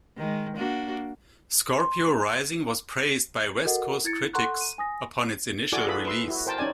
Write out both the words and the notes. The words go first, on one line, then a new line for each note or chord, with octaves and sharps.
"Scorpio Rising" was praised by West Coast critics upon its initial release.
D#3 G#3
A#3 D4 F#4
C6
F#4 A4 A#4 D#5 F#5
E4 G#6 A6 C#7
A4 F#5 A#5 C6 C#6 F#6
D#7
G#5 D#6 A#6
E4 F#4 A4 D5 G#5 D6
F4 G#4 A4 B4 B5
B4 C6 E6
E4 F#4
A#4 C5 G5 A5
C#4 D#4 D5 G#5